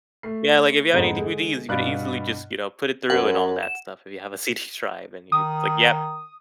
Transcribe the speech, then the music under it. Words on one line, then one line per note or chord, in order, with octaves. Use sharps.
yeah, like, if you have anything with these, you could easily just, you know, put it through and all that stuff if you have a CD drive, and you'd like, "Yep,"
A3 C7
F2 G#2 D3 B3
D3 G#3
G2 B2 D5 F5 B5 F#6
F#2 F#5
E7
D#3 D#6